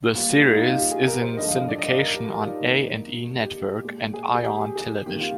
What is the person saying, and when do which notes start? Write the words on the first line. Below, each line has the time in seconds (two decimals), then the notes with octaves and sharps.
The series is in syndication on A and E Network, and Ion Television.
0.15 A#2 G3 A#3 F4
0.30 G4
0.40 D#4
0.46 F4
0.56 D#4
0.66 F4
0.77 G4
0.91 G#4
1.07 A#4
1.22 C5
1.37 G2 D3 F3 G#3 D#5
1.49 F5
1.59 D#5
1.69 D5
1.79 D#5
1.89 D5
1.99 A#4
2.14 G4
2.29 F4
2.46 D#4
2.60 G#2 D#3 A#3
3.42 G4
3.84 A#2 G#3
4.14 G#4
4.34 G#4
4.44 G4
4.60 G#4
4.76 G#4
5.06 F2 D#3 A#3 G4
5.21 F4